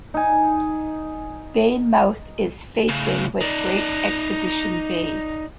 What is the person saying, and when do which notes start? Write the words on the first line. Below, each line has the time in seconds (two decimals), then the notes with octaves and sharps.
Bay mouth is facing with Great Exhibition Bay.
0.14 D#4 G#5
2.89 A2 C#3
3.41 D#4 D5